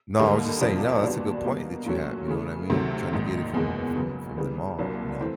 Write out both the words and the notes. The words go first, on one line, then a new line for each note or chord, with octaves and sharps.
No, I was just saying No, that's a good point that you have, you know what I mean? Tryna get it from from from the mar, you know?
D#2 D3 G3 A#3 D#4
F2 C3 F3 A#3 D4
A#2 G3 B3 D4 F#4
B2 G3 A#3
A#2 F#3 A3 C#4 F#4
C#3 E3 A3
D2 C3 D#3 F#3 A3
A#1 G#2 D#3
F#1 E2 B2 G#3
C#3 F#3 B3
C#3 E3 G3 B3
C2 A#2 F#3 A#3 D4
E3 A3 C4